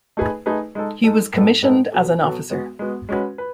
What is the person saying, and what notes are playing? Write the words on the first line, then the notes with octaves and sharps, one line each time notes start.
He was commissioned as an officer.
A3 D#4 G#4 B4
A3 D#4 G#4 B4
G#3 D#4 A4
G#3 D#4 A4
A2 G#3 B3 D#4 A4
A2 G#3 B3 D#4 A4
B2 F#3 B3 F#4 A4
B2 F#3 B3 F#4 A4
G#3 B3 F#4
G#3 B3 F#4
G#3 C#4 F#4 B4
B4